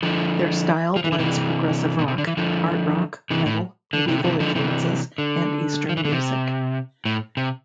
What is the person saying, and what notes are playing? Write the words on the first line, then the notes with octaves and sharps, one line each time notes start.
Their style blends progressive rock, art rock, metal, medieval influences, and eastern music.
D3 F3
F3
E3
D3
C3 E3
B2
C3
D3
E3
D3 F3
C3 E3
A2
D3
C3 E3
D3
C3 E3
D3 F3
C3 E3
D3
F3
E3
D3
C3
A2
C3